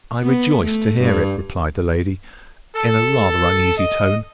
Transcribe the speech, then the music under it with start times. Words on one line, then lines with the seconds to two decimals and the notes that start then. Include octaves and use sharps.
"I rejoice to hear it," replied the lady, in a rather uneasy tone.
0.22 B3
0.63 A3
1.01 G2
2.75 A4
3.77 D#5